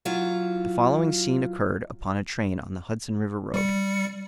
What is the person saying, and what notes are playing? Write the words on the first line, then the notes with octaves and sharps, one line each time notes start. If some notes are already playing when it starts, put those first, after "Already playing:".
The following scene occurred upon a train on the Hudson River road.
E3 F#3 F4
G3 C#7